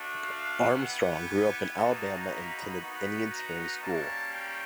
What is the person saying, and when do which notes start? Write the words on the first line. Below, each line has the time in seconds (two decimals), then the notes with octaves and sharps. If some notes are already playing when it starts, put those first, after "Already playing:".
Armstrong grew up in Alabama and attended Indian Springs School.
Already playing: A3 D4 F#4
0.23 F5
0.74 B3 E4 G4 F#5
1.25 G#5
1.77 A#3 D#4 F#4 A5
2.28 B5
2.79 B3 D#4 F#4
3.31 A#5
3.81 G3 A#3 C#4 A5
4.34 G5